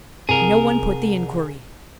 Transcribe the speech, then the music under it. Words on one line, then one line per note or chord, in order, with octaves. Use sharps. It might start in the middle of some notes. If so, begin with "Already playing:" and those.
No one put the inquiry.
C2 G#4 A#4